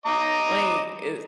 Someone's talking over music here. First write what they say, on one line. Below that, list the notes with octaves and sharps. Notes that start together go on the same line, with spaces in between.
Wait, is
D#5 A#5 D6